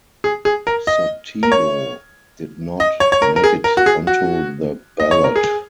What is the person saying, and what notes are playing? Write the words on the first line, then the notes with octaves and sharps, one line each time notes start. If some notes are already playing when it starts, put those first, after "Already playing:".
Sotelo did not make it onto the ballot.
G#4
G#4
A#4
D#5
A#4
C#5
D#5
C#5
C#5
A#4
A#4
G#4
A#4
F#4
G#4
F#4
D#5
C#5
A#4
G#4